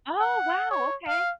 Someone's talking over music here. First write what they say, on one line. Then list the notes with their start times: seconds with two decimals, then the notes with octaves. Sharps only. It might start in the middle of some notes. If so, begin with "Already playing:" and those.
Oh, wow. Okay.
0.20 F#5
0.71 C#5
1.08 F5